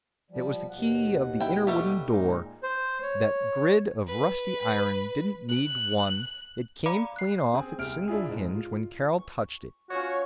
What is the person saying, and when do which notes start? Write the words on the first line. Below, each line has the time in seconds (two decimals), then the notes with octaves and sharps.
It was the key of the inner wooden door--that grid of rusty iron didn't need one--it came clean off its single hinge when Carroll touched it.
0.31 F3 G3
0.70 D#2 B2 F#5
1.40 E4 G5
1.67 G3 A3 G4
2.05 A#2 G#3 D#4
2.63 C5
3.02 C#5
4.07 B4
5.49 F#6
6.86 D5 F5 A#5 B5 D6 C#7
7.16 F#6 C7
7.53 C4 G#4
7.78 C2 F6 D7
8.08 D4 E4 F4 G#4
8.29 G#2
8.55 F4
9.18 C#6
9.90 C#4 F4 F#4 C#5 D#5